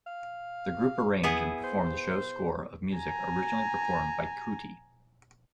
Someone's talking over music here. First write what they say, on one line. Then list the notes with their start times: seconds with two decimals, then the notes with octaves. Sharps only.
The group arranged and performed the show's score of music originally performed by Kuti.
0.07 F5
1.23 B3 E4 G#4
1.64 C5
2.97 G#5 A#5